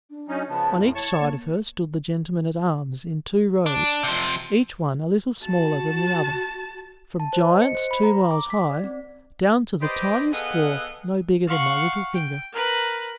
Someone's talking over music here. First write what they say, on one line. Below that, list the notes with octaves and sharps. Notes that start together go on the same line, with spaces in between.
On each side of her stood the gentlemen-at-arms in two rows, each one a little smaller than the other, from giants two miles high, down to the tiniest dwarf no bigger than my little finger.
D4
F#3 C#4 D#4
C#3 F3 B3 A5
E2 A2 E4
C#5 A5 C#6
A#3
D4
C3 F3
F#4 A5
A5
C5
D#5
C#7
C5
B5
A#5
D6
B6
D5
C4
G4 B4 C5 D5 D#5
B3 G#4 A4 D#5 F5 F#5
F5 F#5 C#6
G5
A#4 B4 F#6